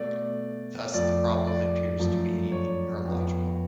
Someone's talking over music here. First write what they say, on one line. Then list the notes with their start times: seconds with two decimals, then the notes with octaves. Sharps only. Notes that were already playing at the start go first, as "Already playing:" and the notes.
Thus the problem appears to be neurological.
Already playing: B2 A3 D5
0.94 F2 F3 A3 D5
1.47 D5
1.99 F#2 F3 A3
2.52 C#5
3.05 F2 F3 B3